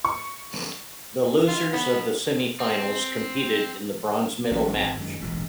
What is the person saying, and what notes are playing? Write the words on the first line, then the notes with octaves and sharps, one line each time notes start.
The losers of the semifinals competed in the bronze medal match.
C#6
F4
B3
C4
A1 F#3 A3 C#4
G#1 C4
F#2 D#3 G#3
E1 A1 A#2 G#3